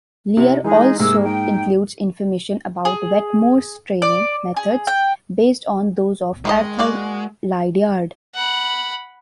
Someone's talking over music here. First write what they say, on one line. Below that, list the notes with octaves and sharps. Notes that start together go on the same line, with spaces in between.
Lear also includes information about Wetmore's training methods, based on those of Arthur Lydiard.
C3 E4
E3 G#3 D#4 G#4
G#2 C3 G#3 A#3 E6
D#4 G5
G#4
D5
G#4
G5
D#3 G#3 F4 D#5
A#3 F#4 D5
F#5 B5